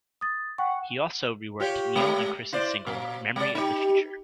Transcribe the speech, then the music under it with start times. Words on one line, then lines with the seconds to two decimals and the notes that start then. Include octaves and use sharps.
He also reworked Neil and Chris' single "Memory of the Future".
0.21 D#6 A6
0.58 F#5 G5 C#6
1.60 F4 G4 C#5
1.96 G#3 A3
2.53 E4 C5 D5
2.86 A#2
3.36 G#3 D5
3.55 D#4 G4